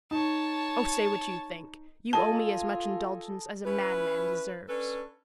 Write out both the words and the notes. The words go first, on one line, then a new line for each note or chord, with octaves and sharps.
"Oh, say what you think; you owe me as much indulgence as a madman deserves."
D#4 C#5 A5
F4 A4 D#5 G#5 A5
C#4 E4 B4
C#4 D4 A4 B4